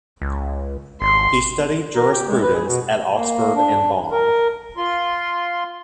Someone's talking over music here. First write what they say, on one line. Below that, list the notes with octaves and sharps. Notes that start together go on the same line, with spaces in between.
He studied jurisprudence at Oxford and Bonn.
C#2
G#1 C6
A#4
G4
G#3
B4
G#4
B2
A#3
D4
A#4
F4 C6